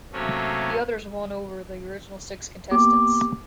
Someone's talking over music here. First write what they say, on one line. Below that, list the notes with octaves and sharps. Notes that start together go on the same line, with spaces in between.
The others won over the original six contestants.
C3 F#3 A3 A#3 C#4
A#3 B3 G4 D6